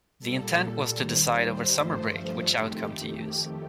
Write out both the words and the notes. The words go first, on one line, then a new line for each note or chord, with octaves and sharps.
The intent was to decide over summer break which outcome to use.
A#2 G3 A4
D#2 D#3 G3 C5
G2 F3 A3 C5
F2 D#3 A3 G4